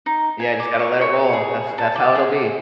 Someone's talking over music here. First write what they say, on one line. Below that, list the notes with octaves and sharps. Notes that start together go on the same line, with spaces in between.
Yeah, just gotta let it roll. That's that's how it'll be.
D#4
G#5
D6
C#6
C#5
G#4
A5
D5
G#4